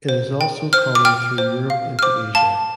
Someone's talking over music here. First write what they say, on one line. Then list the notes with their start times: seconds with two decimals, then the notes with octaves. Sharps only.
It is also common through Europe into Asia.
0.09 C5
0.41 G5
0.73 C5 F6
0.95 D6
1.05 G5 F6
1.38 C5
1.70 F5
1.99 F6
2.03 C5 D6
2.35 F5 A5